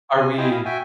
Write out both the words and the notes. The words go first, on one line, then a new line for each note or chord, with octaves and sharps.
are we
G#5
E4 F4 D#5 G5 G#5
E4 F5
F#4 E5 G5 G#5